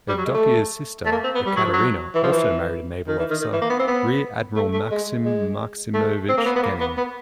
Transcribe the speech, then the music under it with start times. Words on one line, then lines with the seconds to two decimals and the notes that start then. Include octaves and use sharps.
Evdokiya's sister Ekaterina also married a naval officer, Rear Admiral Maksim Maksimovich Genning.
0.09 G3
0.18 F#3
0.25 G#3
0.34 A3
1.06 A3
1.12 A#3
1.24 C4
1.35 B3
1.46 G3
1.56 F#3
1.65 F3
1.73 F#3
2.15 E3
2.23 F3
2.32 E3
3.08 D#3
3.19 E3
3.30 D#3
3.41 D#3
3.53 E3
3.61 A#3
3.70 B3
3.79 C4
3.88 B3
4.56 A3
4.73 A3
4.91 G#3
5.25 G#3
5.94 A3
6.29 C4
6.38 A#3
6.46 B3
6.56 B3
6.63 A#3
6.80 B3
6.97 B3